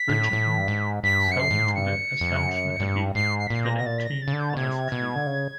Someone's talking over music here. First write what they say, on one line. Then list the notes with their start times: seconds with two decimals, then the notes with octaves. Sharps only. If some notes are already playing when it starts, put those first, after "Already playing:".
Richardton is home to the Assumption Abbey, a Benedictine Monastery.
Already playing: B6
0.09 A2
0.33 A2
0.58 G2
0.68 G#2
1.03 G2 B6
1.27 F#2 C#7
1.39 C7
1.51 G#2
1.59 A2
1.66 G#2
1.74 G2 C#7
2.21 F2
2.45 F#2
2.80 G2
3.15 G#2 C7
3.38 C7
3.47 B6
3.50 A#2 C7
3.63 A#6
3.77 B2 A#6
3.86 A#2 A6
3.98 B6
4.04 A#6
4.22 A6
4.28 C#3
4.33 D3
4.39 G6
4.49 A6
4.56 C3 G#6
4.92 B2
5.16 D3
5.27 C#3